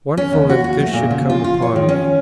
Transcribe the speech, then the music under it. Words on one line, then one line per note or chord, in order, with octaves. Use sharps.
Wonderful that this should come upon me!
C#4
D#2
F#4
F#4
A3
A#2
C#3
F4
F4
C#5
D#3
C#4